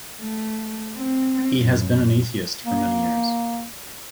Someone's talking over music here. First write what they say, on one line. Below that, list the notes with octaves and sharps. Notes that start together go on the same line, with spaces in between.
He has been an atheist for many years.
A3
C4
F#2
A#3